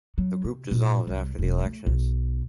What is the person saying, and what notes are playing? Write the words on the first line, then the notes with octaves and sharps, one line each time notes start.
The group dissolved after the elections.
F#3
C3
A#2
C2
E1
A3
B1